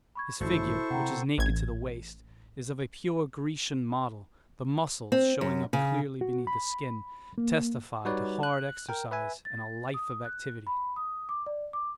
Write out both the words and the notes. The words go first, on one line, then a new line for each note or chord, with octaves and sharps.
His figure, which is naked to the waist, is of a pure Grecian model, the muscles, showing up clearly beneath the skin, testify to hard exercise and a life of activity.
B5 C#6 G#6
A1 G2 D#3 E4 F#4 A4 C5 C#6
C3 F#5 G5 A#5
A1 G#6
C4
F#2
C#3
F#4
B5
A#3
G3 D#4 F#4 B4 C#5 D5
F#6
A#4 G5
B4 E5 G#5
A6
D#6
F#6
B5
D#6
D6
D5
D6